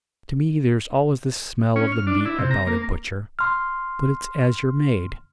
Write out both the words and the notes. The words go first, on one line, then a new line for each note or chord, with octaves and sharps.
To me there's always the smell of the meat about a butcher. But it's as you're made.
C#4
F6
D4
E4
C3
A#5
A#3
C6 F6